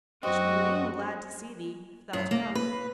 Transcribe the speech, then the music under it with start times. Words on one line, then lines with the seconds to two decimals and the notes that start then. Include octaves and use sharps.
I shall be main glad to see thee; if thou'lt come.
0.23 F#2 C4 D4 F#4 D#5
2.13 F#2
2.31 A#3
2.55 B4